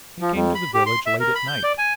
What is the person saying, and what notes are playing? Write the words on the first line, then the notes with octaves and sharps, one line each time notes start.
He came to the village late at night.
F3
F2
B5
G4
C6
E5
A#4
B5
G6
D5
G#5